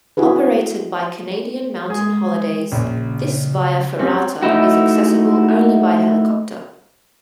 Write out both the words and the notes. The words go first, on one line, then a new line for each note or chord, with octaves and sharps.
Operated by Canadian Mountain Holidays, this via ferrata is accessible only by helicopter.
E4 F#4 G#4 B4
G#3 G#4
A#1 C#3
G3 C4 C#4
A3 D#4 E4 F#4